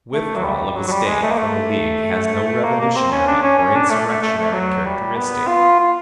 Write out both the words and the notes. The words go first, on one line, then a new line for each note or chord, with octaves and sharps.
The withdrawal of a State from a league has no revolutionary or insurrectionary characteristic.
A3
F#3
G3
F#3
F#3
G3
G#3
A3
A#3
A3
A#3
A#3
C4
C#4
D4
C#4
C#4
D4
A3
A3
A3
A3
F#3
G3
B3
F4
F4